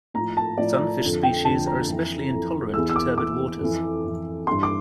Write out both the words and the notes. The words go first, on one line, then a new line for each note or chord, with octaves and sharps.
Sunfish species are especially intolerant to turbid waters.
A2 F3 A#5
A5
A2 F3 D5
F2 D3 F3
G5
F2 D3 F3 A5
A#5
F2 E3
F2 E3
E2 E3 E6
E6
D6
E2 E3 D6
F2 E3
F2 E3
G2 E3 C6
D6